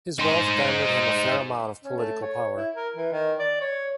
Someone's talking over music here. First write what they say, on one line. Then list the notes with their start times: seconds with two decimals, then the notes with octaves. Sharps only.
His wealth garnered him a fair amount of political power.
0.19 D#4 C5
1.84 C#4
1.96 A3
2.21 C#5
2.55 E4
2.75 A#4
2.96 E3
3.12 D#3
3.39 D5
3.61 C#5